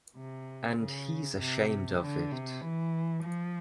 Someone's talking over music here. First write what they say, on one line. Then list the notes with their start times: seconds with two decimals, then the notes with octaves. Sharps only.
And he's ashamed of it.
0.17 C3
0.78 C#3
1.40 C3
2.01 D3
2.32 C3
2.62 E3
3.23 F3